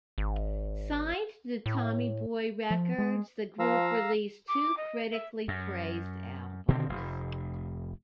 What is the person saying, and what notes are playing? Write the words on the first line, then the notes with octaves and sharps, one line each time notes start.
Signed to Tommy Boy Records, the group released two critically praised albums.
G#1
A2
F3
G#3
F3 F5 A#5 E6
D6
D#5
E5
F#2
B2 D3 D#3 C4
F1